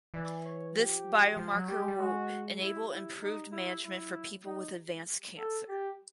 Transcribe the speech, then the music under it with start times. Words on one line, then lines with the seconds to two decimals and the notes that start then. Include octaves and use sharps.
This biomarker will enable improved management for people with advanced cancer.
0.14 E3 D5
0.45 C#5
0.75 F3 G4
1.37 F3
1.53 F#3
1.68 G3 G4
1.79 G#3
1.88 G3
1.98 G#3 F#4
2.60 G3 E4
2.91 E4
3.22 D#4
3.53 E4
3.84 F#3 E4
4.45 F3 D#4
4.61 F#3
4.77 G3
4.92 G#3
5.07 G3
5.22 G#3
5.37 G3 A4
5.68 G4